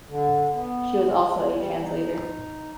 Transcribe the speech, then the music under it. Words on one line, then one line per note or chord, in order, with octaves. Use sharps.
She was also a translator.
D3
B3
G#3
G3
D#4